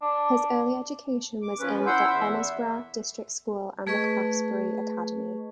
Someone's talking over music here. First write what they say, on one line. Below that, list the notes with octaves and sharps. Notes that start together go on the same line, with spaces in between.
His early education was in the Enosburgh District School and the Craftsbury Academy.
D4
D6
F3 C#4 B4
E4 F#5 C6 E6 G6
E2 E5
A3 G#4 B4 D#5 C#6